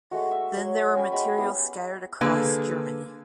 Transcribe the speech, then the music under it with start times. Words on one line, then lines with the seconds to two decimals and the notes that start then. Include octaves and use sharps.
Then there were materials scattered across Germany.
0.11 G#3 A3 F#4
0.31 E5
0.57 F#3
0.95 C#4 G5 G#5 B5
1.11 G#3 F#4 B5 C#6
1.38 B3 E4 G4 G#4
2.21 D3 A#3 G#4 A4 B4 G#5